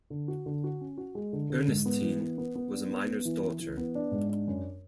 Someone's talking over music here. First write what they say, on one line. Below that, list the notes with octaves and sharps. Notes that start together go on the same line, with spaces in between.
Ernestine was a miner's daughter.
D3
F#4
D3
F#4
C#4
F#4
G#3
D3
D3
G#2
B3
E3
B3
B3
B3
D4
B3
B3
E3
E3
E3
B3
D4
G#2
D4
F#2